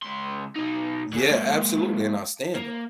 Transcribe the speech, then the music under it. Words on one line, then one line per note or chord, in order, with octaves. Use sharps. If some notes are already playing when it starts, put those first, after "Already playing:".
Yeah, absolutely, and I stand on 'em.
C#2 C6
B1 D#4
D3 G#4
G#3 A#3
A#3